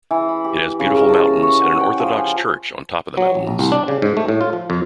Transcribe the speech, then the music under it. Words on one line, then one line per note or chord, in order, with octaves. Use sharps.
It has beautiful mountains and an Orthodox church on top of the mountains.
E3
B5
G4
C#3
A#4
A5
A#4
C#6
F#5
G5
F3
G#5
F#3
A1
A#1
C2
D4
C#3
G#2
A3
A2
F4
F3
F2